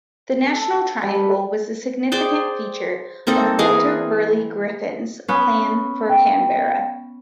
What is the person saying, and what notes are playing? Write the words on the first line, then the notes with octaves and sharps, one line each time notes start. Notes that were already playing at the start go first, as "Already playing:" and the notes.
The National Triangle was a significant feature of Walter Burley Griffin's Plan for Canberra.
A4
G3
B4
G#4 C5 D5 G5
A#3 C4 D#4 A4
E3 G#4 D#5 F5
B3 C#4
G5